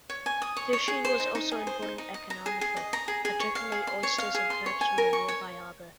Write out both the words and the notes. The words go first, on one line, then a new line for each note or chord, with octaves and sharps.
Fishing was also important economically; particularly oysters and crabs from the nearby harbour.
C#5
G#5
D#6
C#5
C#5
G#4
C5
D#4
D#4
G#4
C5
D#4
D#4
D#5
A#5
G#4
G#4
D#5
A#5
G#4
G#4
C#5
F5
G#4
C6
C#5
F5
G#4
C6
C#5
G#5
A#4
C#6
C#5